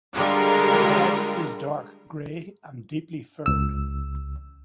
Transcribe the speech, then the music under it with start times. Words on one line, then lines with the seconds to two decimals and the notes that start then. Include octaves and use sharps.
The bark is dark gray and deeply furrowed.
0.15 D3 G3 G#3 F4 A#4
3.46 C#2 E6